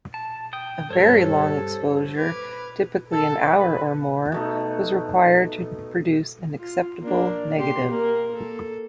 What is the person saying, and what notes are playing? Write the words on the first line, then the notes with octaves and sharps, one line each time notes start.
A very long exposure-typically an hour or more-was required to produce an acceptable negative.
A5
G5 D#6
G2 C3 A4 C5 C#5
B4 D6 F6 G#6
A4
B4
B2 A3 D#4
F4
A#3 D4
G4 C6
A#3 A#4
A4